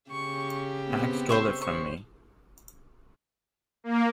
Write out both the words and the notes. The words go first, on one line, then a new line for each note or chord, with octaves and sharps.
Hack stole it from me.
C#3 G4 C#6
B3 C4
C5 E5 C#6
C5 C#6
A#3